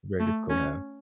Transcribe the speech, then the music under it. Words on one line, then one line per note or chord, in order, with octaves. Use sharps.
Very good skill to have.
A3
C#4